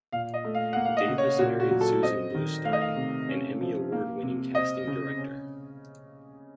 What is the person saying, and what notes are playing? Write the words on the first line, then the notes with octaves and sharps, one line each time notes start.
Davis married Susan Bluestein, an Emmy Award-winning casting director.
A#2 F5
D#5
A3
F5
A#3 F#5
F5
D#5
C#3
C#5
A#2 F#4
F#4
F#3
A4
C4 D#5
D#3
A3 F5
D#5
F5
C3
C#4
F3
A#3
C3
C4 D#5
C#3
C#4